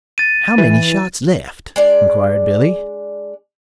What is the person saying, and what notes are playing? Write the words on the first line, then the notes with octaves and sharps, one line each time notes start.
"How many shots left?" inquired Billy.
A6 D#7
E3
G#3 D4 D5